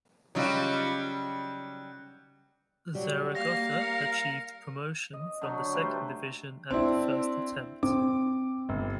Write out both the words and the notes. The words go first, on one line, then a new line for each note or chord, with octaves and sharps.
Zaragoza achieved promotion from the second division at the first attempt.
C#3 F#3 G3 D#4 F4 F#4
F#3 G3
A#3 F5 A#6
A#4 C#7
D#5
D3 F#3 D#4
G3 A3 B4 C5
C4 D4 E4
C4 D6
G1